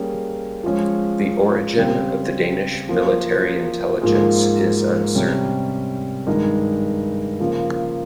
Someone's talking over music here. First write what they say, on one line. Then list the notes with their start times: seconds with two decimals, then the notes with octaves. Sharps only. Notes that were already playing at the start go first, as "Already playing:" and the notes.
The origin of the Danish military intelligence is uncertain.
Already playing: G3 A#3 C#4 G#4
0.64 F3 G#3 C#4
1.77 C#3 G3 C4
2.89 F3 A#3 F4
4.01 G#2 F3 A#3 F4 G#4
5.15 C3 G3 C#4
6.27 G2 D#3 G#3 D#4 A#4
7.40 C#3 F3 A#3